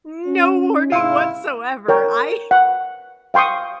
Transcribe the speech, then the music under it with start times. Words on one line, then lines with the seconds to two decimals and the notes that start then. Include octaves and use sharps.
No warning whatsoever. I
0.27 C#4
0.92 G#2 C3 E4 F5 C6
1.88 A#4 C#5 G5
2.51 F#5
3.34 F5 G5 C6 C#6 D#6